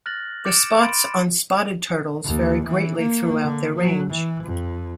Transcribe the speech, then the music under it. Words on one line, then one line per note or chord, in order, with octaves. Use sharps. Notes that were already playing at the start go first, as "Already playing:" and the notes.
The spots on spotted turtles vary greatly throughout their range.
F6 F#6 A6 A#6 F#7
D6 G6 A6 C#7 D7 E7
B5 C6 A6 D7
D#2
E3
A#3
D3
F#3
E3
F2